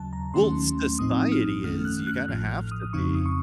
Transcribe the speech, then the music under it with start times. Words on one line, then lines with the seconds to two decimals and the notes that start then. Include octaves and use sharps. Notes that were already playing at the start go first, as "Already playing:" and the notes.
Well, society is you kinda have to be
Already playing: D#2 C#3 F#3 A5
0.13 A#5
0.34 D#2 D#3 F#3 A3 C#4 C6
0.99 A#1 A2 F3 C4 D#4 D#6
1.32 F6
1.64 F#2 D#3 A3 C#4 F6
1.85 F#6
2.07 F#6
2.28 A1 A2 F3 F6
2.50 F6
2.71 D#6
2.83 D#6
2.93 F2 C#3 F3 C4 D#4 C#6
3.15 D#6
3.26 C#6